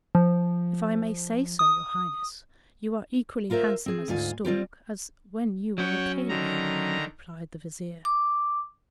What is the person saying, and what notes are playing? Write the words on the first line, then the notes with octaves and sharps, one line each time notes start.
"If I may say so, your Highness, you are equally handsome as a stork as when you were a Caliph," replied the Vizier.
F3
D#6
E4 F4 A#4 C5 E5
C4 G#4
D2 G#2 F4 G#5
G3 C4 F4 G4
F#3 C#4 C#5 F#5 G5
D3 D#3 A#5
D6